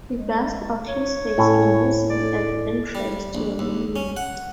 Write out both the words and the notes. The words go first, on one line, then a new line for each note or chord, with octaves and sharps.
A bust of his face can be seen at the entrance to the monument.
G#3
C#5
A2 C#4
D5
G3
A#1
D#2
C#4
F#5